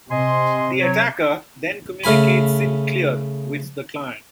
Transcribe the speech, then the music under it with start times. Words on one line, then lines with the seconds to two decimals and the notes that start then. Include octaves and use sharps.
The attacker then communicates in clear with the client.
0.11 C3 D#5 G#5 C6
0.81 F#3 C#5
2.04 C#3 A3 F5 G#5 B5